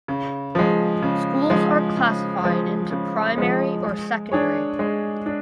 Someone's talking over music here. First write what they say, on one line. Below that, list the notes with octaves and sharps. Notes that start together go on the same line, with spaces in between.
Schools are classified into primary or secondary.
C#3
F3 G#3
C#3
F3 G#3
C#3
F3 G#3
C#3
F3 G#3
G#3
D4 G#4 C#5
G#3
D4